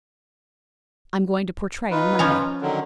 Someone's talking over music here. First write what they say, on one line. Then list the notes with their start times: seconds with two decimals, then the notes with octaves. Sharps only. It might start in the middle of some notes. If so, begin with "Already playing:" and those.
"I am going to Portray on Monday."
1.91 D#4 F4 B4
2.19 F3 C#4 A#5
2.62 D3 D#3 F#3